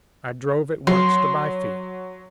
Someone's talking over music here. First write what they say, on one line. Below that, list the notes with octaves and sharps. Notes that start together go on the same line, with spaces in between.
I drove at once to Byfield.
F#3 C6